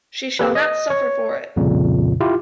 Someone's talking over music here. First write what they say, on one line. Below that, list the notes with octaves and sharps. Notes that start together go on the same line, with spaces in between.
She shall not suffer for it!
A#3 G4 A4 B4
D#5
C#5
C2 F2 A#2 C#3
E4 F4 G4